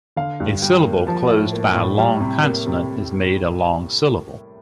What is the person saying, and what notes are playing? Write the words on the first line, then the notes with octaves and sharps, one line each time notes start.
A syllable closed by a long consonant is made a long syllable.
D3 F5
G2
G3 G5
A#3
F3 A5
A2
A#3
A2
G3
C3
A#3
C3